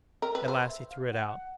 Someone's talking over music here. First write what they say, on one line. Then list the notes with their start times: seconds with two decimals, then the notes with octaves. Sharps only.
At last he threw it out.
0.22 A#4
0.35 B4
0.48 C5 F5
0.69 E5
0.90 F5
1.11 F#5